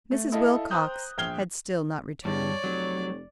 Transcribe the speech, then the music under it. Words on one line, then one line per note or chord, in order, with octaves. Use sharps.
Mrs. Wilcox had still not returned.
A3
E4 A4 D#5 F5
C5 G5 A#5 D#6 F#6 G6
A#1 G5 F6 G#6 C7 G7
E2 G2 C#5 D5
F1 F#3